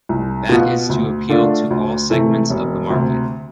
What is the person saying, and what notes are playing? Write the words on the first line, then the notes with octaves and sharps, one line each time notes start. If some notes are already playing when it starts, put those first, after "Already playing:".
That is to appeal to all segments of the market.
C2
B2 B3 F4
D2
D3 A3 D4 F4
D2
C3 E3 A3
E1
D2 C3